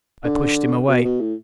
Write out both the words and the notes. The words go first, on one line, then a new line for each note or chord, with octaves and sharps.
I pushed him away.
D3
B2
B2
A2